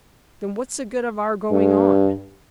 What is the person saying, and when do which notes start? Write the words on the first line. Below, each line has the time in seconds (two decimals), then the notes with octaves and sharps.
"Then what's the good of our going on?"
1.51 G2